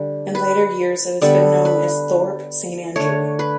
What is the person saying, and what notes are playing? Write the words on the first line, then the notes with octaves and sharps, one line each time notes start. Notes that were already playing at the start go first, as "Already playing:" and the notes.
In later years it has been known as 'Thorpe Saint Andrew'.
Already playing: D3 G3
B4
D3 G3 B3 A4
B4
D3 A3 C#5
B4